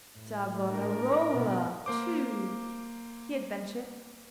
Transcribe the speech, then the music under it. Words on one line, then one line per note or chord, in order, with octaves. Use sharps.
'Savonarola, too,' he adventured.
A2
D4 A#4
B2 B3
A#3 C5 D6